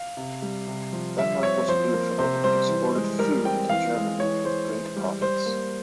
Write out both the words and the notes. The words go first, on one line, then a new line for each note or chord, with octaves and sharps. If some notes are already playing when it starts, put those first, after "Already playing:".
Denmark was neutral and exported food to Germany with great profits.
Already playing: F5
C3
G3
C3
F3
G3 E5
C4 C#5
F3 C5
A#3
C3 C5
G3 C5
E3
G#3
G3 A#4
C4 G5
E3 F5
G#3
E3 C#5
G#3 C5
E3
G3
G3 C5
A#3